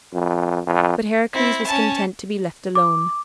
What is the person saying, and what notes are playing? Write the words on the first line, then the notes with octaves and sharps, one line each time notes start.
But Heracles was content to be left alone.
F2
F2
C4 E4
C#4 A5
D6